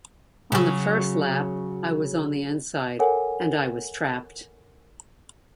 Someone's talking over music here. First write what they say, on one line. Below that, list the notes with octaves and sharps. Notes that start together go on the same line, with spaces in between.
On the first lap, I was on the inside, and I was trapped.
C#3 F#3
A4 A#4 C#5 F#5 G#5